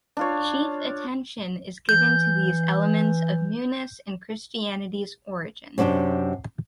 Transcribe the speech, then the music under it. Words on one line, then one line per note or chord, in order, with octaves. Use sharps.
Chief attention is given to these elements of newness in Christianity's origin.
D4 F4 C#5
E3 G6
F#2 C3 D4 F#4 G4